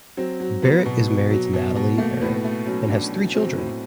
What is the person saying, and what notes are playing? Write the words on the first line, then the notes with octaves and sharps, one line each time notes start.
Barrett is married to Natalie Barrett and has three children.
F#3 C4
F#3
F#3 B3
B2
B2
F#3
B2
B2
A3 A#3
A2 B3
A3
F#3 C#4
F#3 D4
F#3
F#3 C4
A2